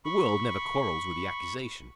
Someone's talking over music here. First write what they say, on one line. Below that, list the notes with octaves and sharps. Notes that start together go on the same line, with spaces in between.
The world never quarrels with the accusation.
B5 C#6